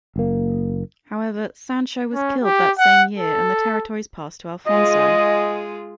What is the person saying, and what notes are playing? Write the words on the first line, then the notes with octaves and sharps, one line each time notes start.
However, Sancho was killed that same year and the territories passed to Alfonso.
F#1 A#3
C#4
G4
F#5
A4
G#3 F4 G#4 D#5